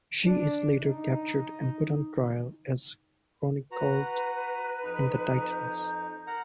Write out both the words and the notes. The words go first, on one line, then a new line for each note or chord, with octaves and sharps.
She is later captured and put on trial, as chronicled in "The Titans".
D4
D#4
F#4 B4 A#5
F2 D#4
G6
A#4 F#5 A#5